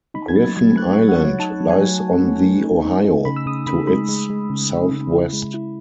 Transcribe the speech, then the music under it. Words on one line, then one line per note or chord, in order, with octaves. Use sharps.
Griffen Island lies on the Ohio to its southwest.
D#4 B5
G#6
F#3 A6
F#3 G#6
A3 F#6
C#6
F#3
F#5
F#3
C#5
D#4 A5
F#3
G#5
F#3
F#3
A3
A3
D#4
D#4
D#4
C#3 B5
E6
C#3 D#6
C#3 B5
G#3 B5
G#3
G#3
C#3
C#3
C#3
E4
G#3
E4